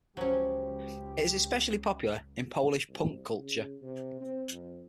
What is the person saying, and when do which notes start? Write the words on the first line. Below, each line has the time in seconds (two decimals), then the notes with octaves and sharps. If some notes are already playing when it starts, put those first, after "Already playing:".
It is especially popular in Polish punk culture.
0.17 C#2 F3 F#3 C#4 G4
2.88 C2
3.38 C#3
3.81 C3
4.21 C4
4.50 F2